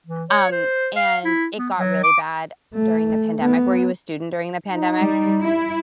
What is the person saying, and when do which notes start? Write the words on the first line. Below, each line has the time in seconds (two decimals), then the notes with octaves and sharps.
um, and, it got really bad during the pandemic. Were you a student during the pandemic?
0.07 E3
0.30 C#5
0.52 C5
0.96 F5
1.25 E4
1.58 B3
1.77 F#3
2.04 D6
2.74 A3
3.42 B3
4.68 D#4
5.01 G3
5.41 E4